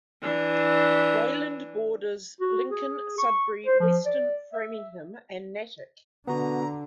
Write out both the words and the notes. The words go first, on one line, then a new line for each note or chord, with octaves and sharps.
Wayland borders Lincoln, Sudbury, Weston, Framingham, and Natick.
E3 D4
F#4
G#4
C#6
C5
F3
D5
E5
D3 B3 F#4 A#5